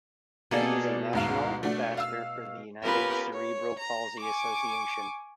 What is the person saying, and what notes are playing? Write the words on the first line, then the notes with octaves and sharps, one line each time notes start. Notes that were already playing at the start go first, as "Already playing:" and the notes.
He is a national ambassador for the United Cerebral Palsy Association.
B2 A#3 G#4 A4 D5
D2 G#2 F5
A3 D4 F#4
F5 E6
B3 C#4 F4 G4 A#4 B4
C#5
A#5
G#5 C#6 D6